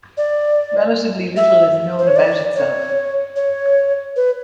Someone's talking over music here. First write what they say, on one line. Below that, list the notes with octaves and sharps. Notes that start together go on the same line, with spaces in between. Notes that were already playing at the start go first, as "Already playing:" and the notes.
Relatively little is known about itself.
D5
E5
C5
C#5
D5
C#5
C#5
B4